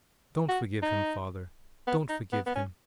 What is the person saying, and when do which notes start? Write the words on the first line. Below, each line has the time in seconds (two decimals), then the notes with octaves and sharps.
'Don't forgive him, father, don't forgive him!
0.49 F#4
0.83 D#4
1.87 B3
2.09 D#4
2.33 B3
2.46 B3
2.55 C#4